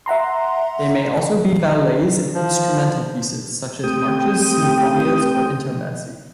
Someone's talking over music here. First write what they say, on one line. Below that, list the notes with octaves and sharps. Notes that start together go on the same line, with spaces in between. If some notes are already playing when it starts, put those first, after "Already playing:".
They may also be ballets and instrumental pieces, such as marches, sinfonias, or intermezzi.
E5 F#5 A#5 C6
F3
A3 C4 G4 G5 D#6